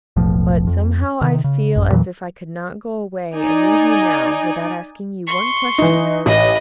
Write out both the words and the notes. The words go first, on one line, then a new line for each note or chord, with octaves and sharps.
But, somehow, I feel as if I could not go away and leave you now without asking you one question. . . .
E1 B1 A2 F3
F2
C3 D#3
C#3
A1 F#2
E2 A#2 E3 F#3
D#4 D5 G#5
C6 C#6
E3 D#4
A1 B4 D#5